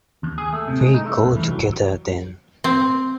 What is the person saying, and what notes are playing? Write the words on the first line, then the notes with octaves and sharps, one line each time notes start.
We go together, then.
D#2
G#4
A3
C3
G#3
D#4
A3
C2
E3
F#3
C4